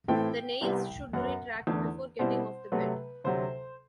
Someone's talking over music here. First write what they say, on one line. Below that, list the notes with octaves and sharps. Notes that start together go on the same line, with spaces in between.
The nails should retract before getting off the bed.
A2 E3 A3 C4 E4 G5
C2 C3 G3 B3
F#2 F#3 B3 F#5
E2 D3 A3 D4
B2 G3 C4 E4 C5
C3 F#3 A3 B4
D2 C3 F#3 C5